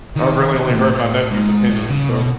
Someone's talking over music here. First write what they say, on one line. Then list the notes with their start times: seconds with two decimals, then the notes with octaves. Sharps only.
I I've really only heard my nephew's opinion, so
0.16 D#3
0.55 D#3
0.69 B2
0.74 A2
0.93 A2
1.32 G#2
1.71 A2
1.90 C#3
2.09 B2